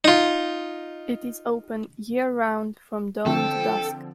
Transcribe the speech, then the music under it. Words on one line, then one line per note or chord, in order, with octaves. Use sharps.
It is open year-round from dawn to dusk.
D#4 F4
D3 F3 C4 A4 G5